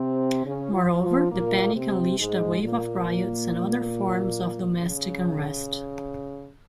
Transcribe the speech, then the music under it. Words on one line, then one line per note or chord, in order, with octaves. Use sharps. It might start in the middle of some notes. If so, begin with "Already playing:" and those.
Moreover, the panic unleashed a wave of riots and other forms of domestic unrest.
Already playing: C3 C4
C#3 C#4
F3 F4
F3 F4
A#2 A#3
C3 C4
G#2 G#3
A#2 A#3
C#3